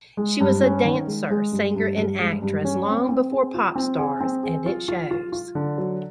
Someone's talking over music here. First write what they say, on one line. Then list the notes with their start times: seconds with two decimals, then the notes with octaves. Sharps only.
She was a dancer, singer and actress long before Popstars, and it shows.
0.17 G#3
0.41 G2
0.63 C#4
0.85 D#3
1.07 G#3
1.30 G#3
1.52 G2
1.75 G2
1.96 G2
2.20 G#3
2.42 G2
2.65 C#4
2.87 C4
3.09 C4
3.31 G#4
3.54 F4
3.76 C4
3.98 G#4
4.21 C4
4.43 G#4
4.66 F4
4.88 F4
5.11 F4
5.32 F4
5.55 D3
5.78 F#3